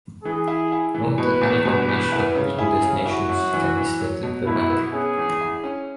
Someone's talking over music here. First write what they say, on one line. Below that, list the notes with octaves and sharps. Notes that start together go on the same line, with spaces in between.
Note that any combination of multiple destinations can be selected per bank.
E3 G#4
E4
E4
E3
B2 B4
E2
B2 B4
E2
E4
C#3
E4 G#4
C#3
E4 F#4
F#2
E3
E3
F#3
B2
B2 E4
B3
C#4 G#4
E2
E4
C#4